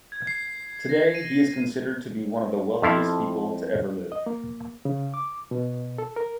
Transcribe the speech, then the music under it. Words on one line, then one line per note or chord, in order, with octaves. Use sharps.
Today, he is considered to be one of the wealthiest people to ever live.
G#6
C7
A#6
D#7
F2 F3 E4 F5
D#5
A#3
C#3
D6
B2
A4
A#4